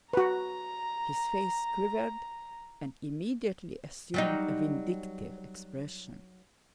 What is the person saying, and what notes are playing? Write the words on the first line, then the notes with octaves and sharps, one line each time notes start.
His face quivered and immediately assumed a vindictive expression.
F#4 B4 A#5
F#3 G3 D#4